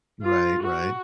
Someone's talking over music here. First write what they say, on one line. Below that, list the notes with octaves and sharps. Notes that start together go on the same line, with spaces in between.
Right, right.
F4
F#4